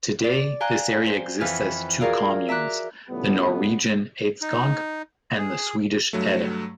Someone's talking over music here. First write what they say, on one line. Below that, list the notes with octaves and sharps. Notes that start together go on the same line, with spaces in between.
Today, this area exists as two communes: the Norwegian Eidskog and the Swedish Eda.
D5
F5 G5 G#5 A#5 F#6
C5
F2 E3 B4 G#5 F6
F4 F#4 G#4 A#4 D5 F5
E5 A#5 D6 F#6
A2 C#3 F3 G3 B3
D#4
G#4
G2 F#3 A3